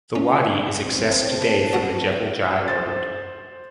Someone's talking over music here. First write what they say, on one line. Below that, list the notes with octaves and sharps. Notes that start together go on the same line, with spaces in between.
The wadi is accessed today from the Jebel Jais road.
C#2 D3 C#4 D5
C#2 D#3 C4 C5
G#4 B4 A5
F#3 F#4 F#5
C5 A6